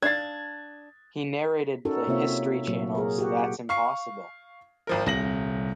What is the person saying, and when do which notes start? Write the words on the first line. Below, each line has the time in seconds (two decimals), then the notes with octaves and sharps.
He narrated the History Channel's "That's Impossible".
0.02 D4 F5 G#6 A6
1.85 C#4 D#4 F#4 A4 A#4
2.07 C3 A#3 C4 F4 C#5 E5
2.67 A#2 F#3 A#3 F#4
2.95 G#4 A#4
3.18 F#4 G4 F#5
3.69 F5 C#6 C7
4.87 G#1 F3 A#4
5.06 D#1 C2 A#6 F#7